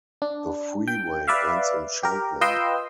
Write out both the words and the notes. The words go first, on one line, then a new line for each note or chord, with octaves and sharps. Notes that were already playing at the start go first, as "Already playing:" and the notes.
The freeway ends in Champlin.
D4
G5
B4 D5 E5 F5
G4 A#4
F4 B4 D#5 G5 C6 E6